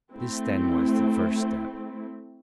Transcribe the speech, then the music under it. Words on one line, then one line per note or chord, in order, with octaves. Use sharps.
This then was the first step.
A3 C4 E4